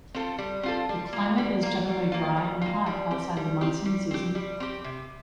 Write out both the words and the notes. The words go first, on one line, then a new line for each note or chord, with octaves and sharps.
The climate is generally dry and hot outside of the monsoon season.
C4 F4 A4
G3
C4 F4 A4
G3
A#3 F4
G3
A#3 F4
G3
A#3 F4
G3
A#3 F4
G3
C4 G4
G3
C4 G4
G3
C4 G4
G3
C4 G4
C3